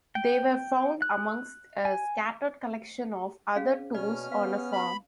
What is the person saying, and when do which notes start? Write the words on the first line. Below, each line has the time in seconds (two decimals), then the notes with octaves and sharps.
They were found amongst a scattered collection of other tools on a farm.
0.15 G5
1.02 F#6
1.85 G#5
3.56 C#4 G#4 F5
3.95 B2 C#4 D5 F6
4.32 B3 F5
4.73 B5